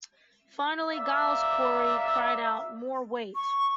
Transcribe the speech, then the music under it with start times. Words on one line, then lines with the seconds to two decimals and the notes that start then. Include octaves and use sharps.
Finally, Giles Corey cried out More weight!
0.92 A#3 D5 E5 F5
3.35 C#6